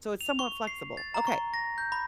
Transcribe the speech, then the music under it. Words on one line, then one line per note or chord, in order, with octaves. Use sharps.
so it's somewhat flexible. Okay.
F7
C#6
C7
A6
A#5
C#6
A#6
G6
B5